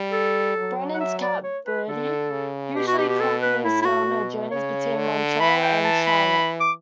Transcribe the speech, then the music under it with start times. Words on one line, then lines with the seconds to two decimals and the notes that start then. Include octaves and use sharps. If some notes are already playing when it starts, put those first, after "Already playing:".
Brennan's cat, Birdie, usually accompanies her on her journeys between Montreal and Charlotte.
Already playing: G3
0.12 A4
0.57 F#3
0.94 F#5
1.00 E5
1.22 D5
1.43 C#5
1.66 B4
1.88 D3 A4
2.32 C#3
2.76 B2 G4
2.87 F#4
2.98 G4
3.09 G4
3.20 A4
3.42 B4
3.64 A2 E4
3.82 E4
3.85 F#4
4.08 B2
4.51 C#3 C#5
4.96 D3
5.40 E3 B5
5.62 G5
5.84 A5
6.06 B5
6.60 D6